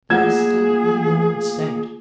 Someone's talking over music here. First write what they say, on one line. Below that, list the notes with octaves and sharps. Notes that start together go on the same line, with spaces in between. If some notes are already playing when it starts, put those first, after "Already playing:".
They are still in a dormant state.
A3 A#3 F4 G#4 F#5 G#6 E7